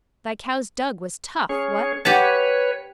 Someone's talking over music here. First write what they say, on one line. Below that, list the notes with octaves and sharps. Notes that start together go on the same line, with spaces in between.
Thy cow's dug was tough, what?
C#4 G#4 C#5
G4 B4 C#5 F#5 A5